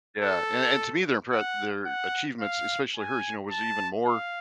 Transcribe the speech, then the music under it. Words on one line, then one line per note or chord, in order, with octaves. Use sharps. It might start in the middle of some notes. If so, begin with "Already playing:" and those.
Yeah. And and to me, their impre their achievements, especially hers, you know, was even more
A4
F#5
F#5
F5
G#5
A5
F5